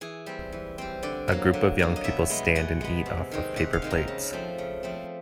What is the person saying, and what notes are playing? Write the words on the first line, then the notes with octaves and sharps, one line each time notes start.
A group of young people stand and eat off of paper plates.
E3 G#4
G3 C4
E3
G3 C4
D3 D5
F#3 A#3
D3
F#3 A#3
D#5
B2 E5
G#3 B3
B2 F#5
G#3 B3
C3
D#3 G#3 C4
C3 F#5
F5
D#3 G#3 C4
A#5
C#3
F3 A3 C4
C#3
F3 A3 C4